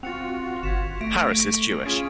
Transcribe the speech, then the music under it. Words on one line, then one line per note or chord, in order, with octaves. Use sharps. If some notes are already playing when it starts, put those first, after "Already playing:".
Harris is Jewish.
C4 F4 F#4 A6 C#7 F7
G1 G#6 B6 E7
A3 C#6 A#6 D7
C#4 F4 G#4 A6